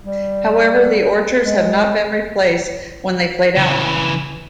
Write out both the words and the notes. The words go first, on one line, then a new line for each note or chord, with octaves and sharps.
However, the orchards have not been replaced when they played out.
G3
G#3
C#3 E3